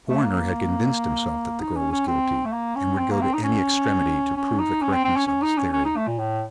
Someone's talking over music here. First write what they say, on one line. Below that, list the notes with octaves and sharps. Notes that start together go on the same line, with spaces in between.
The coroner had convinced himself that the girl was guilty, and would go to any extremity to prove the correctness of his theory.
A3
A#3
D#4
C#4
C#4
C4
A3
A#3
C#4
C4
A#3
C4
D#4
C#4
C#4
D#4
C#4
C4
C4
C#4
C#4
D#4
C#4
C#4
D#4
A3
A#2
A2